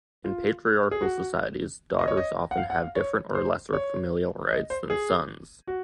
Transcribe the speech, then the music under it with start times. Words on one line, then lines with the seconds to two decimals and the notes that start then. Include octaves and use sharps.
In patriarchal societies, daughters often have different or lesser familial rights than sons.
0.24 F4
0.91 G#4
1.02 F#4
1.99 D#5
2.08 C#5
2.17 D#5
2.51 F#5
2.57 F5
2.70 F#5
2.82 F5
2.96 C#5
3.35 C5
3.73 C#5
4.51 D#5
4.70 C5
4.90 G#4
5.67 F#4